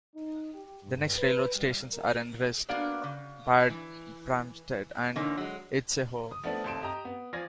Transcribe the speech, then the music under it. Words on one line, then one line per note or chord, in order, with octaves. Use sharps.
The next Railroad stations are in Wrist, Bad Bramstedt and Itzehoe.
D#4
G4
G2
B4
G3
A#4
A#3 B3 D4 F#4 D5 F5
C#3
E3
D3 E3 F3 A#3 C#4 D#4
F#3 G#3
D#6
F3 A3 B3 D4 A4 D5
D#2 C3 A4 C6 D7 E7
G4 D#5 A#5 D#6
B3
F3 F4 D5 G#5 G#6 A#6